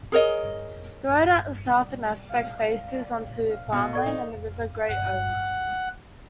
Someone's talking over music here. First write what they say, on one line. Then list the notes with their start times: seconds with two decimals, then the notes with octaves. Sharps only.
The road at the southern aspect faces onto farmland and the River Great Ouse.
0.12 G#4 A#4 C#5 D#5
3.72 B2
3.93 A4 D5 C#6
4.06 D#4
4.89 F#5